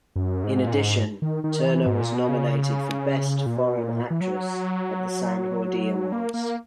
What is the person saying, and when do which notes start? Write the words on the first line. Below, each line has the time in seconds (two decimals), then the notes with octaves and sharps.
In addition, Turner was nominated for Best Foreign Actress at the Sant Jordi Awards.
0.16 F#2
0.44 G#2
0.67 A#2
0.73 G#2
1.22 D#3
1.44 D#3
1.65 E3
1.86 G#2
2.01 A#2
2.15 B2
2.29 C#3
3.46 A#2
3.57 B2
3.78 A#2
4.10 E3
4.21 F#3
6.12 A#3
6.34 A#3